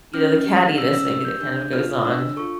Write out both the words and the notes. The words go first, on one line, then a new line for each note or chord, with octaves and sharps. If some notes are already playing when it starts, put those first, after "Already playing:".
you know, the cattiness, maybe, that kind of goes on.
C#4 F6
G4
C#4 E6
E6
G4 E6
G6
D4 G6
F4 A4 F6
D4 E6
F4 A4 C#6